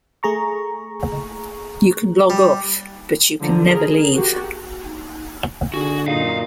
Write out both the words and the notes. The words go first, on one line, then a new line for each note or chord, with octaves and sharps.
"You can log off, but you can never leave".
A3 G#4 A#5 C#6
G3
D3 F3 A#5
G#4 A#4
F#4 G4
D3 F#4 G#4
F#2 A#2 D#4 F5